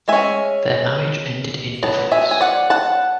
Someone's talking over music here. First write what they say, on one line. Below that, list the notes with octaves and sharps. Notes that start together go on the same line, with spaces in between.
Their marriage ended in divorce.
G#3 C#4 E5 G#5
F#3 B3 A5
E5 G#5
G#5
D5 F#5
F#5 A5